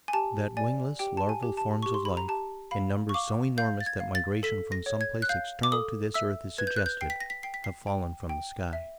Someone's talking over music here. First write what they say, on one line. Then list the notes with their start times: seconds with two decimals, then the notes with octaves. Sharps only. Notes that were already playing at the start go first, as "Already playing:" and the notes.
That wingless, larval forms of life, in numbers so enormous that migration from some place external to this earth is suggested, have fallen from the sky.
0.08 G#5
0.13 G4 A5
0.57 D5 G#5
0.99 G4 G5
1.17 A5
1.29 G#5
1.43 G4
1.57 A5
1.82 G4 C#6
1.94 C6
2.05 B5
2.17 A#5
2.28 G4 A5
2.71 F5 B5
3.09 C#6
3.14 F5 D6
3.58 F5 G6
3.81 A6
3.86 G#6
4.00 F5
4.15 A6
4.43 A4 B6
4.72 A#6
4.86 C#5
5.01 G#6
5.22 F#6
5.29 F5 G6
5.63 D6
5.72 A4 D#6
6.14 E5 E6
6.58 B4 G#6
6.67 G6
6.76 F#6
6.86 G6
7.01 G5 C7
7.10 B6
7.20 A#6
7.30 B6
7.43 G5 C7
7.54 B6
7.64 C7
7.87 G5
8.29 G5
8.73 E5